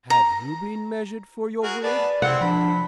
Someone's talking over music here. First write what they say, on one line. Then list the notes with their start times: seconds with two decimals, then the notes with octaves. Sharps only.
"Have you been measured for your wig?"
0.10 A#5
1.63 F#4 G#4 A#4
1.83 B3 G#4 D5 A5
2.22 C3 C4 E4 F#5
2.41 F3 D4 B5